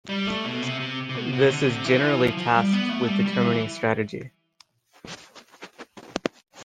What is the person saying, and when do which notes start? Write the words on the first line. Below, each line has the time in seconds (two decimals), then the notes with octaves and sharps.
This is generally tasked with determining strategy.
0.09 G3
0.27 A3
0.45 B2
0.62 C3
0.80 C3
1.09 C3
1.15 B2
1.33 C3
1.50 D3
1.67 C3
1.85 E3
1.95 F3
2.02 E3
2.20 F3
2.37 F3
2.55 G3
2.73 B3
2.90 A3
3.08 G3
3.26 G3
3.43 E3